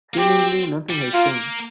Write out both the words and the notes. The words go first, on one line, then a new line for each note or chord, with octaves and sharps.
Seemingly, nothing has changed.
A#3
C4 G4
G3
A#3 F4